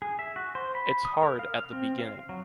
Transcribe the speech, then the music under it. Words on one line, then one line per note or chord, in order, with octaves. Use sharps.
It’s hard at the beginning.
G#4
E5
F#4
C5
B5
D#6
A#4
F5
F6
C4
F5
F#3